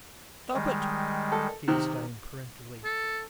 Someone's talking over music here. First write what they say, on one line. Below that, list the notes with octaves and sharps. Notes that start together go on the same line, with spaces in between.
"Stop it!" he exclaimed peremptorily.
D#3 G3 G#3
A4
C3 D#3
A4